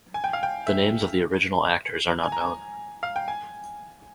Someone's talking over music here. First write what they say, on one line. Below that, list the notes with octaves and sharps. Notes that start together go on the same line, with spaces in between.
The names of the original actors are not known.
G#5
G5
F5
G5
E5
G#5
A#5
G#5
F5
G5
G#5